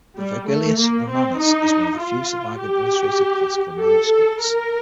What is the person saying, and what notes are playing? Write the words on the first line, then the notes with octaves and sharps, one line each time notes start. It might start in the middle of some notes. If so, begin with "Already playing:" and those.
The Vergilius Romanus is one of the few surviving illustrated classical manuscripts.
G3
A3
A#3
C4
D#4
F4
G4
A4
A#4